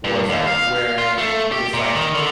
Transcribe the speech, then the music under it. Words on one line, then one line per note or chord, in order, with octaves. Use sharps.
was, like, wearing this, like,
G2
D#2
F5
F4
A3
G4
A#2
D#3
D3